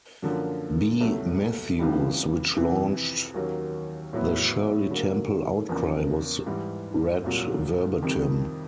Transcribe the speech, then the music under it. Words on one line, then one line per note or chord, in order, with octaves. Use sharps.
B. Matthews, which launched the Shirley Temple outcry was read verbatim.
F#2 D3 F3 A#3
C2 B2 F#3 A3
C#2 C3 E3 G3
F2 C3 E3
D#2 D#3 F#3 A#3 C#4
A2 F#3 B3 E4
D3 F#3 A#3
E2 C#3 F3 A#3
G#2 E3 G3
C2 A#2 F#3
F2 C3 D#3 G3